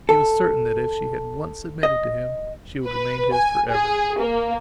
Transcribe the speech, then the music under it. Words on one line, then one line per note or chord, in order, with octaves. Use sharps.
He was certain that if she had once submitted to him she would remain his for ever.
A4
D#5
B4
G#5
G#4
A#3